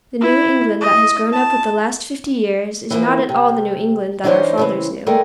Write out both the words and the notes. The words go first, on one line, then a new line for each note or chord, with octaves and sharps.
The New England that has grown up with the last fifty years is not at all the New England that our fathers knew.
E4
D#5
A5
E3 F3 A#3
C3
E3 D4 D#4 G4 C5 C#5
C#3 E3 C4
D#3 G#3 A3 G#4 A#4 D5